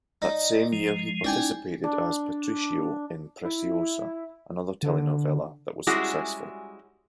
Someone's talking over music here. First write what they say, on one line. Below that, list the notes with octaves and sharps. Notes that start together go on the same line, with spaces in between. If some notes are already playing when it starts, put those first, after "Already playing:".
That same year, he participated as "Patricio" in "Preciosa", another telenovela that was successful.
D#4 D5 D#5
F3 G#3
C#4 D#4 E4 D5 G5 G#5
D4
E4
D3
G3 G#3 C#4 E4 F#4 G#4